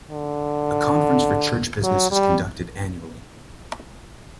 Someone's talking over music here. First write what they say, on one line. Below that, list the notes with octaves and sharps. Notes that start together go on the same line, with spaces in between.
A conference for church business is conducted annually.
D3
F#3
G3